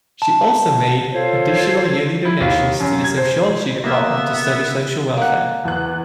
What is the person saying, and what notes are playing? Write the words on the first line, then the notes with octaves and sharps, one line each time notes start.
She also made additional yearly donations to the sociology department to study social welfare.
A5
F4 A4 C5 C#5
E4
D#2
F#2
G#6
C5
A#3 B3 E5
A#3 F#5
E2 F#6